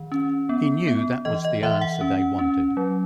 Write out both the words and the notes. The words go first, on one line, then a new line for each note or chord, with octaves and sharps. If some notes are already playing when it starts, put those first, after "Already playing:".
He knew that was the answer they wanted.
Already playing: D#3
C#4
B3
B3
E3 D#5
D#5
E3 E5
F#5
C#4
C#4
F#3